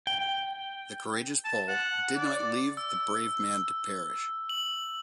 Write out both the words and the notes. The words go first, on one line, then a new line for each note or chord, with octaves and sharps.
The courageous Pole did not leave the brave man to perish.
G5
A5
F#5
D5
E6
F#7